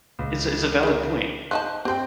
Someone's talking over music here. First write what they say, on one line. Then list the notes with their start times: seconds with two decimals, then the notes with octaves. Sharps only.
It's a it's a valid point.
0.19 C#2
0.83 G#4 A#4
1.51 F3 D#4 A5 F#6
1.85 C4 G4 C5 G5